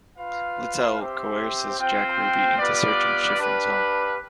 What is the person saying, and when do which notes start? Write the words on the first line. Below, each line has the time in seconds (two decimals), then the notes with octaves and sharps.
Littell coerces Jack Ruby into searching Schiffrin's home.
0.18 F4 B4 F5
0.98 C4 G4 C5 E5
1.79 C4 F4 C5 G5
2.58 G3 B3 F4 B4 D5
3.38 D4 G4 B4 F5